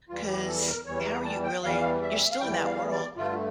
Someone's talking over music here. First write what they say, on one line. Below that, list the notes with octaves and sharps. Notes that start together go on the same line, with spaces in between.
'cause how are you really you're still in that world
E2 E3 G3 F4
G4
A4
A#4
E2 E3 G3 C#5
A#5
A5
G5
E2 E3 G3 F5
E5
F5
E2 E3 G3 G5
F5
D5
G2 D3 A3 F4